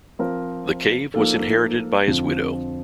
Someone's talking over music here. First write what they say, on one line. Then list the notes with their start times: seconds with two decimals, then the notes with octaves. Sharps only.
The cave was inherited by his widow.
0.19 F3 C4 F4 A#4
1.14 F3 A#3 D#4 A4
2.08 F2 D3 F3